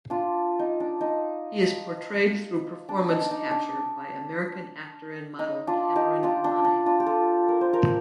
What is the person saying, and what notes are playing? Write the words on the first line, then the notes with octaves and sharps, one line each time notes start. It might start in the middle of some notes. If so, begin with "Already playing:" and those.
He is portrayed through performance capture by American actor and model Cameron Monaghan.
D4 F4
D#4
D4
D#4
D4
D#4
D4
D#4
D4
D#4
D4 F4
D#4 G4
D4 F4
D4
D4
D4 F4
G4
F4 A4
A#4
C5
G4 A#4